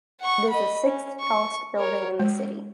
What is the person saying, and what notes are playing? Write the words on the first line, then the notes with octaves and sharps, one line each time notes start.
It is the sixth-tallest building in the city.
F#5 C#6
D#5 B5
C#4
C#6
A#4 C#5
G#3